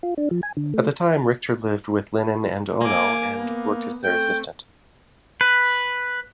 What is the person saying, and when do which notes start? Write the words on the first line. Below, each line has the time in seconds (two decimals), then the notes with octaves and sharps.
At the time, Richter lived with Lennon and Ono and worked as their assistant.
0.03 F4
0.18 D4
0.31 F3
0.43 G#5
0.57 D3
0.74 A3
2.81 A#3 G#5 D6
3.38 B3
4.04 A3 C4 G5
5.41 B4